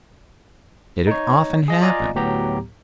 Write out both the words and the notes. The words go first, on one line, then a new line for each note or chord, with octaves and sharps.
Did it often happen?
D#4 C#5
G#4 D#5
F4 D5 D#5 F5 G#5 A#5
D2 A2 F#3 B3 G4 A#5